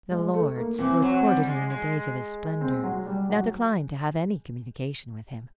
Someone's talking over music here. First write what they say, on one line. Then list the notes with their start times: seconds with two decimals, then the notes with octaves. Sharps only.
The lords who had courted him in the days of his splendour, now declined to have any communication with him.
0.11 G#3
0.34 A3
0.56 A#3
0.78 E3 C4
1.02 F#3
1.25 G3
1.47 G#3
1.70 G#3
2.61 C4
2.83 F#3
3.06 G3
3.29 F#3